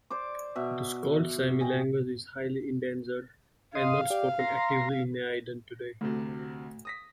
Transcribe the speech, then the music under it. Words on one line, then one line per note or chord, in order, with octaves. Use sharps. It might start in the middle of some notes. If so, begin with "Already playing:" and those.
The Skolt Sami language is highly endangered and not spoken actively in Neiden today.
C5 D5 D6
B2 E5 F#5
G#4 D#5 G5
D#5 F5 C6 D#6
G4 D5
A#5 C6
D2 C3 A3 F#4
D#6 A#6 B6